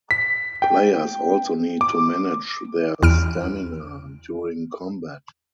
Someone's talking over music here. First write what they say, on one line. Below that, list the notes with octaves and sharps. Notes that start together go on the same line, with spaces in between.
Players also need to manage their stamina during combat.
B6
G5
D6
E2 F6 D7